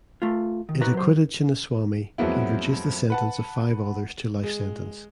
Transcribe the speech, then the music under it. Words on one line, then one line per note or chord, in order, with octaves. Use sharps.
It acquitted Chinnaswamy and reduced the sentence of five others to life sentence.
A3 F4
D#3
D#4 F#4 B4 A#5
F#3 C5
F2 F#3 G#3 A#3 B3 E4
B4 F#5 A5
G#3